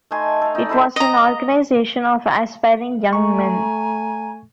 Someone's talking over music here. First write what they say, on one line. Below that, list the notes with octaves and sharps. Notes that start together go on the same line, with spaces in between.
It was an organization of aspiring young men.
A3 D#4 G#5 C6
A4 F5
D#4 D5
E4 A4 C5 E5
D#5 A#5
A3 G#5 A#5 C#6